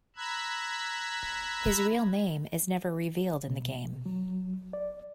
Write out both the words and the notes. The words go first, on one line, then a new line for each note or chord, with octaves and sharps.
His real name is never revealed in the game.
A#5 B5 E6 F#6 G#6
B2
F#3
D5